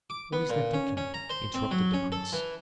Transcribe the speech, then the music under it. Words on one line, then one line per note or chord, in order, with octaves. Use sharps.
"What is that document?" interrupted the prince.
D6
B3
A#2
C#4
C#4
A#5
C5
C4
F#3
C#4
A4
E3